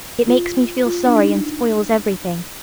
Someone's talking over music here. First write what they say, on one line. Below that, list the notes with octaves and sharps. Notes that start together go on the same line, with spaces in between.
It makes me feel sorry and spoils everything.
F4
F4
D4
D#4